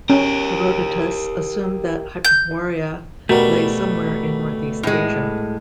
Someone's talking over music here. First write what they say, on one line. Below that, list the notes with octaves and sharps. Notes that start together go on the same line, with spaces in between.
Herodotus assumed that Hyperborea lay somewhere in Northeast Asia.
C#4 G4 A#4
G6
B2 G3 A3 F#4 A#4
A2 G#3